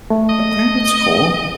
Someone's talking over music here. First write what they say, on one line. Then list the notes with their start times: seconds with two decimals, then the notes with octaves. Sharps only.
Okay, that's cool.
0.10 A3
0.29 D#5